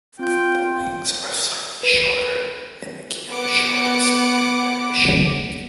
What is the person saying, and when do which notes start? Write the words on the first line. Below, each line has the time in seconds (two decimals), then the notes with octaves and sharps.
The wings are slightly shorter and the keel shortest and reddish.
0.19 C4 F4 G5 G6
1.83 B4
3.32 B3 F#5 D6 C#7 D7